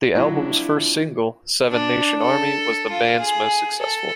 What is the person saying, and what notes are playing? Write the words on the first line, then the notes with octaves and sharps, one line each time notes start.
The album's first single, "Seven Nation Army", was the band's most successful.
F2 A2 F#3 D4 E4 F4
D4
A4
F4
G#4
A4